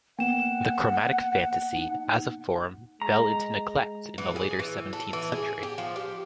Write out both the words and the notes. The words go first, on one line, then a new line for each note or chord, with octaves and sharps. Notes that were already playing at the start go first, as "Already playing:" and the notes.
The chromatic fantasy, as a form, fell into neglect in the later seventeenth century.
A#3 B3 F#5 G5 E7
D#4
G#3 A#5
E3
G#4
E3
A4
E3
G#4
G4
F3
G4